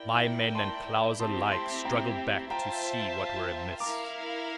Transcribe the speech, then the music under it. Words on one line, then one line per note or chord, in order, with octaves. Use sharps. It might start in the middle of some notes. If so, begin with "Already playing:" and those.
My men and Klow's alike struggled back to see what were amiss.
Already playing: E4 A#4 D5 G5
A5 C6
C4 E4 G4 A5 C6
A5 C6
G5 A#5
F4 C5 E5 G5 A5 A#5
E4 A#4 F5 A#5 D6